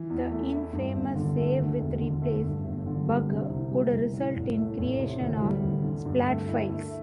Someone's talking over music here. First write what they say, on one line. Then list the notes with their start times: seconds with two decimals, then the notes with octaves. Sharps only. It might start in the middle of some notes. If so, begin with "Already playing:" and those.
The infamous save-with-replace bug could result in creation of splat files.
Already playing: E3
0.10 E2
0.31 A3
0.52 E4
0.73 G2
0.94 G1
1.15 D3
1.37 A3
1.58 D2
1.80 E1
2.01 D3
2.22 A3
2.43 G2
2.65 G1
2.86 D3
3.07 G3
3.29 C3
3.50 C2
3.71 G3
3.92 C2
4.14 A2
4.36 A1
4.56 A3
4.78 A1
4.99 C3
5.20 D2
5.42 G3
5.63 D2
5.84 D3
6.05 G2
6.27 A3
6.48 E4
6.70 A3